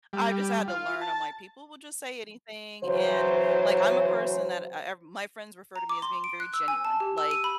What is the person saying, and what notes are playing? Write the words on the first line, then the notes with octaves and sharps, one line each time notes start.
I just had to learn, I'm like, "People will just say anything," and, like, I'm a person that, uh uh my friends refer to me as being very genuine, like,
G3
F4
A5
C#3 E3 F#3 C5
A#5
D6
C6
D7
F#6
E6
G#5
A5
G4
E6
D#7
B5